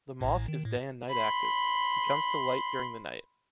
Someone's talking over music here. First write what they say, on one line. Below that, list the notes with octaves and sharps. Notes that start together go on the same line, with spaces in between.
The moth is day and night active, he comes to light during the night.
A1 A2
D#3
A2
B5 C6